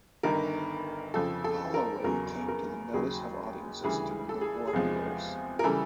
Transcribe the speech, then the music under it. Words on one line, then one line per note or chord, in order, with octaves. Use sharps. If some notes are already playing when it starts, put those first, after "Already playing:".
Holloway came to the notice of audiences during the war years.
G1 G2 D#3 A#4
F2 C#3 F3 A4
A4
A#4
E2 C#3 F#3 A#4
A#4
D#2 C#3 F#3 G#4
D2 C#3 E3 G3 G#4
A4
G#4
G#4
E2 C3 F3 G#3
A#4
C#3 E3 G3 A4